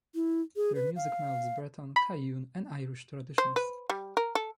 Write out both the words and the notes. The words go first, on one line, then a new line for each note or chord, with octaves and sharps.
Their music melds Breton, Cajun, and Irish traditions.
E4
G#4
B4
F5
B5
C5
B4
G3
A#4
A4